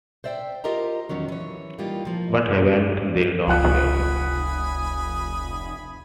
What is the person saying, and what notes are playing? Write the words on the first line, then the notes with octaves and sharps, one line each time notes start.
But haven’t they done well?
C5 D5 E5 F5 G5
F4 G4 A#4 D#5 A#5
E2 D#3 F#3 C#4
E3 C#5
G3 A#3 D#4 F4 G4
F3 A#3
F1 C#2 F4 F#5 G#5 B5 D#6 F#6